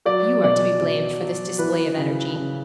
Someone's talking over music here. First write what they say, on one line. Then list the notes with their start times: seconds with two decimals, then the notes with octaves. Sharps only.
You are to be blamed for this display of energy.'
0.06 F#3 D5
0.44 B2 D5
0.82 B2
1.20 F#3
1.58 E3 B4
1.97 C#3
2.36 C#3